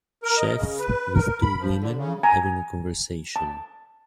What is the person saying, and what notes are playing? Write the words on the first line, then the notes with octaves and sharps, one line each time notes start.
Chef with two women having a conversation.
A#4
D#5
C#3
B4
A#4
B5
F3
D3
C#3
G#5 A#5
A5